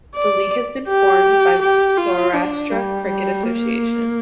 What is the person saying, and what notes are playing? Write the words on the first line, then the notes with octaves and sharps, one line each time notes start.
The league has been formed by Saurashtra Cricket Association.
D5
G4
G4
F4
D4
G3
G3
A#3